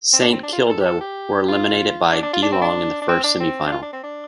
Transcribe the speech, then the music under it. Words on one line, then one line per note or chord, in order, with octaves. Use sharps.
Saint Kilda were eliminated by Geelong in the first semi-final.
C4
D4
C4
D4
F4
A4
G4
A4
G4
F4
D4
D4
F4
D4
C4
D4
D4
C4
D4
C4
D4
F4
D4
C4
D4